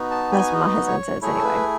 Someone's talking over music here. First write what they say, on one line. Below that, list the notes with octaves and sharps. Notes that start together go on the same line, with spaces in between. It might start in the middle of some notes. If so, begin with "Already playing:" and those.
that's what my husband says anyway-
Already playing: B3 D#4 F#4
A5
G#5
D#5
C#5
A3 E4 G#4 C#5
A4
B4